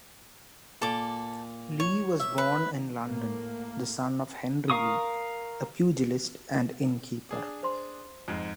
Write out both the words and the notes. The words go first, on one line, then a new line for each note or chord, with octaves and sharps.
Lee was born in London, the son of Henry Lee, a pugilist and innkeeper.
A#2 A4 D6
C#5
E5
B4
A2 A#3
A#4 F5 C#6 D#6
D4 G#4
C5 C6
F2 G#2 G#3